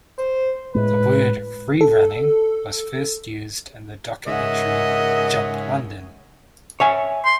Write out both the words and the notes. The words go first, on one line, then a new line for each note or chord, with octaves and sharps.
The word "freerunning" was first used in the documentary, "Jump London".
C5
A2 G#3 B4
A4
G#2 C#3 A#4 D#5 E5 F#5
C#5 E5 G#5
C6